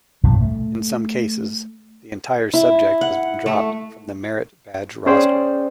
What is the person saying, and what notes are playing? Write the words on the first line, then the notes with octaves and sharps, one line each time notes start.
In some cases, the entire subject has been dropped from the merit badge roster.
B1 G2 A#2 F3
A3
E4
F#5
A3
C#4 G#4 C5 D5 G5